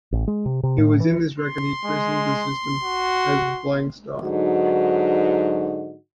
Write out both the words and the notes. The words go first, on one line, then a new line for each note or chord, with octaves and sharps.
It was in this record he christened the system as the "Flying Star".
A1
G#3
C3
C3
A2
E3
C6
G#3
F#4
G#2 D3 F#3 D#4 F#4